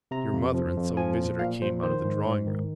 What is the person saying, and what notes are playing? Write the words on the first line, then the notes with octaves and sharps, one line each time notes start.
Your mother and some visitor came out of the drawingroom.
C3 A#5
F2
F3
F2
F3 G#5
A#2
A#2 F5
F3 C5
D#3 C5
G#2
G#2
D#3